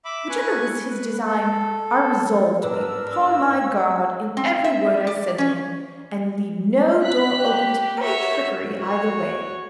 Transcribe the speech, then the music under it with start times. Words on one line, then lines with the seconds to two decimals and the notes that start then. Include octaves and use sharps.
Whichever was his design, I resolved to be upon my guard in every word I said to him, and leave no door open to any trickery either way.
0.05 E5 B5 D6
0.29 B4 G#5 C#6
0.90 B4
1.25 A4
2.63 G#2 B3 D4 A#4 B4 E6
4.37 C4
4.64 E5
5.07 D5
5.38 C#4
7.03 F#6 B6
7.35 G4
8.01 F#4 C#5 E5
8.77 F#4 C#5